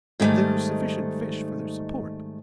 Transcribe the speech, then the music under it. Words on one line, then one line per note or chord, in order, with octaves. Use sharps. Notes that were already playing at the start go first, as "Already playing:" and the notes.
There are sufficient fish for their support.
G#2 D3 D#3 G3 A3